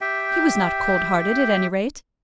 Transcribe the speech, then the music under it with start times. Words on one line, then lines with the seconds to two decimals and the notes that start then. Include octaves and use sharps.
He was not cold-hearted, at any rate.
0.01 G4 E5 G5